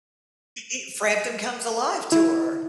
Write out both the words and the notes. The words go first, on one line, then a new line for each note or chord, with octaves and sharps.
E Frampton Comes Alive tour.
E4